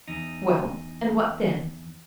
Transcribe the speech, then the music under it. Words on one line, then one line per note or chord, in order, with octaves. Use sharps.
"Well, and what then?"
E2 D#4